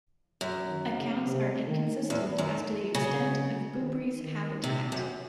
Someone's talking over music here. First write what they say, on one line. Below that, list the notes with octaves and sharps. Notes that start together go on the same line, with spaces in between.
Accounts are inconsistent as to the extent of the boobrie's habitat.
F#2
D#3
C#3
C3
D#3
E2 A2
F#2 D#3
C#3 F#3
G#3
F#3
D#3
D#3
C3
F#2